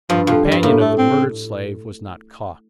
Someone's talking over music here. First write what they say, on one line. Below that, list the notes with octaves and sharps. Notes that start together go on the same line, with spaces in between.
The companion of the murdered slave was not caught.
G2 F3
F2 F3
G3
G2
A2 A#3
A3
C4